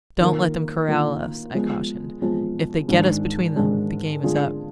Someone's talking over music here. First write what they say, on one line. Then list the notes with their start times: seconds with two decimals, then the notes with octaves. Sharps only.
"Don't let them corral us," I cautioned; "if they get us between them, the game is up."
0.21 D#3 A#3 F4 A#4
0.88 D#3 A#3 F4 A#4
1.54 F3 G#3 B3
2.22 F3 G#3 B3
2.88 G#2 D#3 G#3 D4
3.56 G#2 D#3 G#3 D4
4.23 D3 G#3 D4 F4 G#4